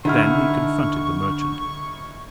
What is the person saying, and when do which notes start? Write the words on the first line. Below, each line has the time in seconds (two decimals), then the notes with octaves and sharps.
Then he confronted the merchant.
0.05 D3 D#4 E4 C#6 F6